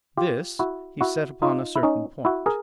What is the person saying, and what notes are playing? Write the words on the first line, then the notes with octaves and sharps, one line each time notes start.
This he set upon a certain point.
F4 G4
E4 F#4
E4 F#4
D#4 F4
E4
C#4 D#4
E4 F#4
G#4 A#4